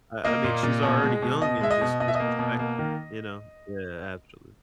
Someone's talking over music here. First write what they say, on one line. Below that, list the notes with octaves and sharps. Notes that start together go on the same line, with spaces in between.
I I mean, she's already young and just disrespecting you know yeah, absolutely.
A#3 D#5
A#2
A#2
B2
G#3
B2
B2 D#5
G#3 E5
D#5
B2
B2 D#5
E5
A#3 D#5
B2
A#3
D#3